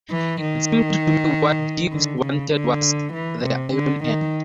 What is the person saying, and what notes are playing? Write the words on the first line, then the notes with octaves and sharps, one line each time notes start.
It seemed to me that what Jeeves wanted was the iron hand.
E3
D#3
D3
C#3
D3
E3
C3
D3
D#3